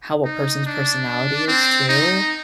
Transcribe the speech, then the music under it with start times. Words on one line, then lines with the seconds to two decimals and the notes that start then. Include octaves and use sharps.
how a person's personality is too.
0.25 D#4
0.65 D4
1.48 C4
1.89 D#4